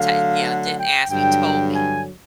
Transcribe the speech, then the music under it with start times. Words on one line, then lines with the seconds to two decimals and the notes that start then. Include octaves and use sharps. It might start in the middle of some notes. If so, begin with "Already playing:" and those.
To you know, didn't ask me, told me.
Already playing: D3 F#3 A3 F5
0.47 F#5
0.78 G5
1.09 G2 D3 F#3 G5
1.72 G#5